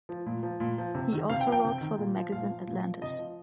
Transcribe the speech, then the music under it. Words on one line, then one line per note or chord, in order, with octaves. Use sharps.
He also wrote for the magazine Atlantis.
F3
A#2
F3
A#2
F3
C3
D#3
C3 F5
G5
F3
G5
C3
D#3
A#2
F3
A#2 F5
F3
A#2
F3
C3 D#5
F3